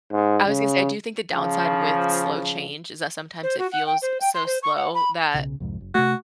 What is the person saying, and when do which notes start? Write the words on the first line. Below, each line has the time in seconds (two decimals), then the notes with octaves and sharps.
I was gonna say, I do think the downside with slow change is that sometimes it feels so slow that
0.12 G#2
0.48 C#3
1.32 C#3 F3
3.43 C5
3.59 F#4
3.72 F#5
3.86 G5
4.02 C5
4.21 G5
4.35 C6
4.46 C5
4.63 C#6
4.76 F#5
4.94 B5
5.34 B1 C#3
5.60 C2 F2 G#2
5.81 F#1
5.95 C3 A3 F#4